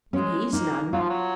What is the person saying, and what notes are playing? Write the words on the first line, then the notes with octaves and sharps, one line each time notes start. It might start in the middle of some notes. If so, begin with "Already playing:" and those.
And he's none.
G#3 C#4
A#3 D#4
F#3 F4
F3
F#3